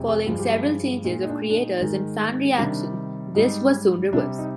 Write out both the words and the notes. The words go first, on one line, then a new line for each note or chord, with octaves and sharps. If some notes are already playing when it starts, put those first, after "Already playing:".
Following several changes of creators and fan reaction, this was soon reversed.
Already playing: F2 C3 G#3
G#4
G2 F3 G#3 F4
G4
F4
A#2 G#3 D#4
D#4
D4
D4
D#4
G#2 D#3 G#3
C3 D#3 G3 D4
G#2 G3 D#4
C3 G3 D4
D#4